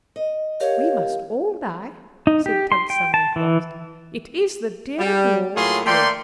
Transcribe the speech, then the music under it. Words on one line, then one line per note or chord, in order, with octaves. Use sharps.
"We must all die," said Tant Sannie at last; "it is the dear Lord's will."
D#5
G4 A#4 C#5 F5
D#4
G4
C6
G5
A5
E3
G3
A2 F#3 A#3 F4 G#4 C6
A3 A#3 D5 G5 C6